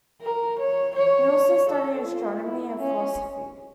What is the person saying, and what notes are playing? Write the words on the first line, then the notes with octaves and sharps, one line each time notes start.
He also studied astronomy and philosophy.
A#4
C#5
C#5
A4
F4
E4
C#4